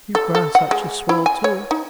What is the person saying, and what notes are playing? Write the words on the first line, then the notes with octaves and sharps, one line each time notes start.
You've grown such a swell, too.
A4
A4
F#5
G#3
E4
G#5
C#5
D#4